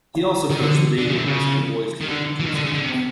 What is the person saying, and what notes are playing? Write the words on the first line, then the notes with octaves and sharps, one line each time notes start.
He also coached the Damien High School boys' team for two seasons.
D#3
D3
D3
C#3
C3
C#3
D#3
D3
E3
D#3
D3
C#3
D3
C3